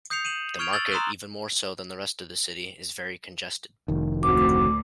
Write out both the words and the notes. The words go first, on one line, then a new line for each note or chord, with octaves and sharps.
The market, even more so than the rest of the city, is very congested.
D#6 G6 C7 C#7 F7
D#7 E7 F#7
C#6 F6 G#6 D7 F7
E6 A6 F#7 G7
A#5 C6 D#6 E6 F#6
F1 D#3
D2 A2 C4 F#4 D6